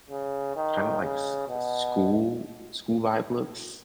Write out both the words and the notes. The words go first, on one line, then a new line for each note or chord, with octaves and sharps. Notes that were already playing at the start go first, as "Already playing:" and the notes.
kinda like s school school-vibe looks?
C#3
D#3
C#3
B2